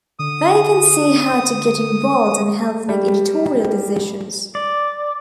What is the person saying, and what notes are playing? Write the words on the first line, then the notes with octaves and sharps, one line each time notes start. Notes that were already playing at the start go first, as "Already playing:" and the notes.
They can see how to get involved and help make editorial decisions.
D3 D#6
G3
D5